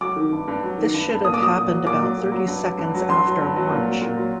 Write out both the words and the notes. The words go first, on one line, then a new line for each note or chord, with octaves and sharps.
This should have happened about thirty seconds after launch.
F#3 D6
D#3
G2
G2
F#3
D#3
G2
G2
A#2 D#6
D6
F#3 D#6
A#2
F#3
A#2 D6
F#3
A#2
F#3
G2
F#3
G2
F#3
G2 C6
F#3
G2
F#3
A#2
F#3
A#2
F#3